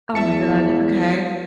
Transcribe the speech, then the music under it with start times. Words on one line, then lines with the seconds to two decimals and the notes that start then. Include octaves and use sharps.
Oh, my god. Okay.
0.15 E2 E5 A5 C#7